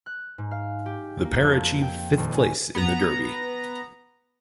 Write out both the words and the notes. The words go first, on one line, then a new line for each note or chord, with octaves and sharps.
The pair achieved fifth place in the Derby.
F#6
G#2
F5
G4
A#3
F2
G5
D#1
G#5
B3 A#5